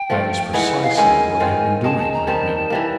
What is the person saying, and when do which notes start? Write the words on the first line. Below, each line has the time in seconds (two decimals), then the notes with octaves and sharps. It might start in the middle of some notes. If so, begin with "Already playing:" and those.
"That is precisely what I have been doing," I admitted.
Already playing: G5
0.10 F3 A3 C4 F4
0.53 E3 G#3 B3 D#4 F#5
0.83 F5
0.97 D#3 G#3 C#4 E4 G#5
1.40 D#3 G#3 C4 F4
1.84 G#3 C4 D#4 A5
1.98 A5
2.13 A#5
2.27 D#3 G3 C4 D#4 A5
2.70 E3 G3 A#3